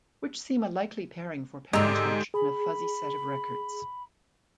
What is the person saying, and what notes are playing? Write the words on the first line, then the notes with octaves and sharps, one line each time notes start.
Which seem a likely pairing for parentage, in a fuzzy set of records.
G#2 D3 G3 D#5 A#5 E6
G#4 B5